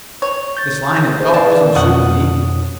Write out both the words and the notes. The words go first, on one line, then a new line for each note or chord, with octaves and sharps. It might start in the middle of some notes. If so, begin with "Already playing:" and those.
This lying at dock doesn't suit me.
C#5
G6 A6
G#4 C5
B4 D5 F5 A5
D#3
F2 B2 C#4 F#5 D#6